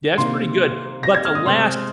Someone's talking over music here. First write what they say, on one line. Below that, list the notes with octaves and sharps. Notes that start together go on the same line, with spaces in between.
Yeah, it's pretty good, but the last
C3 D#3 A#3 C6
A#6
G#6
F6
D#6
C3 G#3 C4 C6